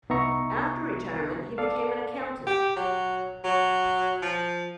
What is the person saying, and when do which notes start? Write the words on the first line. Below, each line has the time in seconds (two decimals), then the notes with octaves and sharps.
After retirement he became an accountant.
0.09 C2 B3 D#4 E5 A#5 C#6
1.58 A4 D5 F5
2.46 G4
2.76 F#3
3.44 F#3
4.22 F3